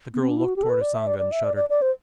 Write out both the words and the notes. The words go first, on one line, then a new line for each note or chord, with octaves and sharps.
The girl looked toward Usanga and shuddered.
B3
C4
D4
E4
F#4
G4
A4
B4
D5
E5
D5
D5
E5
D5
D5
D5
C5